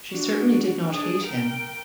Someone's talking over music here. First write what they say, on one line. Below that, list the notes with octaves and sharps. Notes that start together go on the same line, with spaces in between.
She certainly did not hate him.
D4 F#4
D4 G#4
A#4 G5